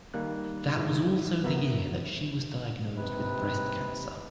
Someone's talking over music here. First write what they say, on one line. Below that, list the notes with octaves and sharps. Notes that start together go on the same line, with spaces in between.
That was also the year that she was diagnosed with breast cancer.
D#3 G3 A#3 F#6
G#2 D#3 E4
B3 F#4 A#4 E5
D#2 C3 D#4 B4